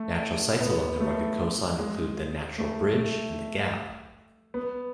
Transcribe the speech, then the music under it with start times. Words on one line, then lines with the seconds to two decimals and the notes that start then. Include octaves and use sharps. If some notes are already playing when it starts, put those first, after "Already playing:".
Natural sights along the rugged coastline include the 'Natural Bridge' and the 'Gap'.
Already playing: A3
0.61 B3
1.00 A3
1.79 G#3
2.58 A3
2.97 A3
4.54 B3